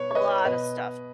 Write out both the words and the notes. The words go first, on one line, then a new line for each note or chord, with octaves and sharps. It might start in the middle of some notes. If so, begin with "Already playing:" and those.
Lotta stuff.
Already playing: B2 B4 C#5
C#5
B4 D#5
B2 B4 D#5